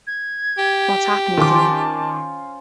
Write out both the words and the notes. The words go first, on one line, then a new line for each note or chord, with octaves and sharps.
What's happening to me?
G#6
G4
D#3 C#4 F4 C5 A5 D6